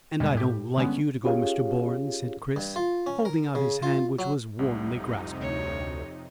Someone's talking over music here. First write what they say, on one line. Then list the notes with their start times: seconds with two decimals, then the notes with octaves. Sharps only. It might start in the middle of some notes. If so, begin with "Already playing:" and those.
"And I don't like you to go, Mr Bourne," said Chris, holding out his hand, which was warmly grasped.
0.20 E2 B2 G3 G#3
0.35 A2 G4
0.78 D3 G3 G#3 B3 C#4
1.23 C#4 F4 G4 G#4 C#5 F5
2.56 G2
2.76 F4
3.07 C#4
3.25 A#4
3.55 C#3
3.83 F4
4.19 F#3
4.59 C2 F2 A2 C3 D#4
5.41 D2 C#5